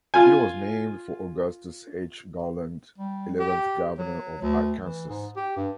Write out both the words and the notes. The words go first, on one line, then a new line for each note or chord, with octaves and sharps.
It was named for Augustus H. Garland, eleventh governor of Arkansas.
F4 G#5
G3
G4
F#3
D2
E3
G#2
G4
G2